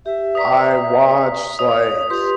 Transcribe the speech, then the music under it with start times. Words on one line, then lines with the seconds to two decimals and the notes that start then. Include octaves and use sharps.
I watched like,
0.06 G4 E5
0.35 B4 D5 A#5 D#6 B6
1.59 C#5 D#5 D#6
2.10 F4 G4 B4 C6